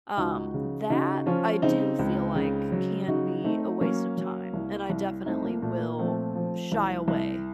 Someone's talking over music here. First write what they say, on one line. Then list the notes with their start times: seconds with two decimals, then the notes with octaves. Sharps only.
Um, that I do feel like can be a waste of time and I definitely will shy away
0.17 C#2 D#4 F#4
0.54 C#3
0.90 C#3 D#4 F#4
1.26 F3 C#4 F4
1.62 C#3 C4 D#4
1.99 C#2
2.35 C#3
2.72 F#3
3.08 C#3 D#4 F#4
3.44 A3 C4 D#4
3.81 F#3 A#3 C#4
4.17 F#3
4.54 C2
4.90 C2
5.26 A3 C4 D#4
5.44 A#3
5.62 A#2 A3
5.81 A#3
5.99 F3 A3 C4
6.35 F3
6.72 C2
7.08 C2